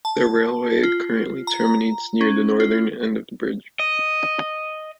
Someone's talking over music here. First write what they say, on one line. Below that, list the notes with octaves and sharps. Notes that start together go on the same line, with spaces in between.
The railway currently terminates near the northern end of the bridge.
A5
F4
A#5
C#4
F4
D#5